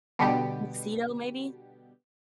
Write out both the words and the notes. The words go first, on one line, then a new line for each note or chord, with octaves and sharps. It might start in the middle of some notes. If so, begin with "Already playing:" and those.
Tuxedo, maybe?
B2 D3 G3 B3 G4